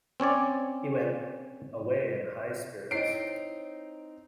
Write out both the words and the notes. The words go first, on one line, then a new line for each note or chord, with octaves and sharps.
He went away in high spirits.
C4 C#4 C#5 D5
C4 D#4 E4 C5 C#5 D#5 C7 D7